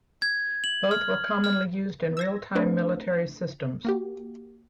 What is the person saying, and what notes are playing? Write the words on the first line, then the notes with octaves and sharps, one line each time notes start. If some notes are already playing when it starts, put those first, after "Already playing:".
Both were commonly used in real-time military systems.
G#6
F#7
F6
F6
E6 G#6 A#6
A3 C4 D4 B4 C5
A#3 F#4 G4